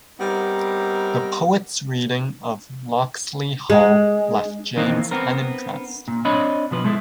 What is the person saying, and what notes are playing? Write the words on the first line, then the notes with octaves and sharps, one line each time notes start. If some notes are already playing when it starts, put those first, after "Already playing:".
The poet's reading of "Locksley Hall" left James unimpressed.
G3 B3 C4 D#4 A#4
G#3
F2 D#3 E3 A#3 C4 D#4
B3 C4 A#4
A#2
C4 D4 C#5 D#5 B5
B2 F3 B4
G#3 A3 E4